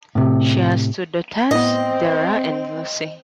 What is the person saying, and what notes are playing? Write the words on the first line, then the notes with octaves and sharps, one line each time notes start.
She has two daughters, Deragh and Lucy.
A2 C3
A2 B3 C4 D#5